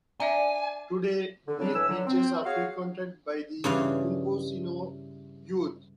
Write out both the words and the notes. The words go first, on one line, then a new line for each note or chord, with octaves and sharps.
Today, these beaches are frequented by the "tumbesino" youth.
D4 D5 E5 G#5 A#5
D3
C#3 F#3 G3 C4 D4
A2 B4 G#5 E6
D3 F#3
C4
F#4 G#4 C#5 F5
G2 C#3 E3 F5